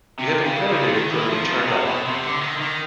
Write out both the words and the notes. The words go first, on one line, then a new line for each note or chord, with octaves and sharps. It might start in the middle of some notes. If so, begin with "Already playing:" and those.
You have been credited for the returned item.
C3
C#3
D3
C#3
D3
D#3
E3
F3
C3
C#3
C3
B2
C3
D3
D#3
D3
D#3